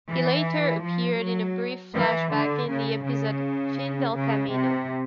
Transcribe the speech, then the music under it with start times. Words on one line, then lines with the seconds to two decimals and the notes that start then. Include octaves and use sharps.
He later appeared in a brief flashback in the episode Fin Del Camino.
0.10 E3
0.84 F3
1.21 F#3
1.95 E3
2.31 D3
2.68 C#3
3.04 C#3
4.15 C#3
4.51 C3